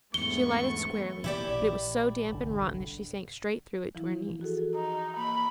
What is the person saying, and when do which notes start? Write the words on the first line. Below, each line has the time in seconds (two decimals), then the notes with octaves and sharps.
She alighted squarely, but it was so damp and rotten that she sank straight through it to her knees.
0.14 E2 G#2 A3 B3 C#6 G7
1.24 B2 E3 A#3 E4 G4 D5
1.49 A#1
2.32 G1 C2 D3
3.95 E3 F3 E4
4.41 F#4 G#4 A4
4.75 D#4
5.17 A#3 B5